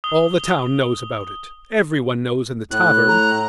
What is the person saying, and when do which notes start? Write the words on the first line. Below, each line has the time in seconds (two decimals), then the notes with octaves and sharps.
All the town knows about it--every one knows in the tavern.
0.04 D#6 G7
2.71 A2 F#6
3.08 A#5